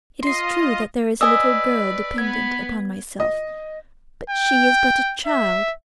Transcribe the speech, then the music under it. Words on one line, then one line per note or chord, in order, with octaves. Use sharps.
It is true that there is a little girl dependent upon myself, but she is but a child.
F4 D#5 C6 C7
B4 D5 D#5 G#5 E6
B3 B4 G#6
D#5
G5
E5